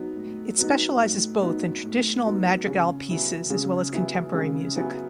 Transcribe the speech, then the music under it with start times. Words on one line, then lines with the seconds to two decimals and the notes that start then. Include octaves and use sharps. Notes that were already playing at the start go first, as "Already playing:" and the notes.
It specializes both in traditional madrigal pieces as well as contemporary music.
Already playing: F#3 B3 D#4
0.16 A2
0.58 F#3 B3 D#4
1.00 A2
1.42 F#3 B3 D#4
1.83 A2
2.25 F#3 B3 D#4
2.67 C#3
3.09 F#3 B3 E4 G#4
3.50 C#3
3.92 F#3 B3 E4 G#4
4.34 C#3
4.76 F#3 B3 E4 G#4